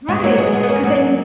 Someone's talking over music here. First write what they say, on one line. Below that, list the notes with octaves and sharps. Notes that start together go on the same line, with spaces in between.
Right, 'cause then
G#3 B3
F#3 A#3
G#3 B3
G#3 B3
B3
A#3 C#4
F#3 A#3